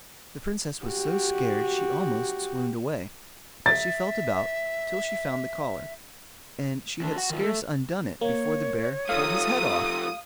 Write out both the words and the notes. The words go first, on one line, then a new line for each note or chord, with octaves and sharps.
The Princess was so scared she almost swooned away; but she felt about till she found the collar, and she had scarce undone it before the bear pulled his head off.
F#4 G4
E5 A6
D2 D4
F#4 F#5
D#3 F4
A3 A4
A#3 C#5
F3 A3 F5 D#6